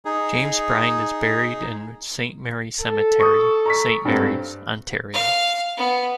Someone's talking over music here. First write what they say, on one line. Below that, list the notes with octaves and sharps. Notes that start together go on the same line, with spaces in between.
James Brine is buried in Saint Marys Cemetery, Saint Marys, Ontario.
D#4 G#4
A4
C#6 D#6
A#5 C#6 B6
G2 F#3 C4 A4
F5
B3